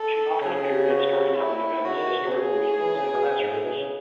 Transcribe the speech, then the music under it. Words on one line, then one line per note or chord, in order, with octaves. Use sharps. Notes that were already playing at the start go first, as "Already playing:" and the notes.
She often appeared at storytelling events, historical meetings and classrooms.
Already playing: A4
C#3 G#4
F#4
E4
C#3 F#4
D#3
B2
C#3
G#4
E3
C#3
B2
G#2
A2
B2
C#3